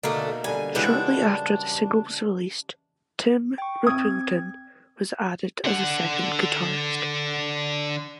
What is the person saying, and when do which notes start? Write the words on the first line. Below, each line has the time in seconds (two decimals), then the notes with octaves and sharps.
Shortly after the single was released, Tim Rippington was added as a second guitarist.
0.03 B2 D3 A3 A#3 D#4
0.44 D3 G3 G#5
0.75 C#3 E3 G3 G#3 D4 F#4
3.58 G5 C#6
3.87 C4 D#6 G#6
5.64 D3 F#5